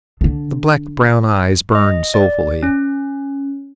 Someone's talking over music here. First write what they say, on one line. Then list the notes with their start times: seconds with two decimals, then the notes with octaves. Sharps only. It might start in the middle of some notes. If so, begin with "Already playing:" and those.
The black-brown eyes burned soulfully.
0.21 D3 D4
1.75 D#5
2.14 D5
2.63 C#4